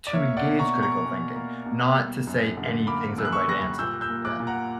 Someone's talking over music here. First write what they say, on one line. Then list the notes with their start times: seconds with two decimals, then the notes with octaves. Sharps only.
to engage critical thinking, not to say anything's a right answer. Yeah.
0.07 D5
0.13 A#3 C#5 E5
0.37 D5 F#5
0.44 B2
0.59 A#5 C#6
0.75 B2
0.82 A#5 C#6
1.06 B2
1.36 A#3
1.66 B2
1.97 G3
2.27 F#2
2.57 D3
2.87 A#3 B5 D6
3.18 F#2 E6
3.25 F#6
3.32 C#6 E6
3.48 G3 F#6 A#6
3.79 A#2 E6 G6
4.01 E6 G6
4.09 A#3
4.25 D6 F#6
4.40 A#2
4.47 F#5 A#5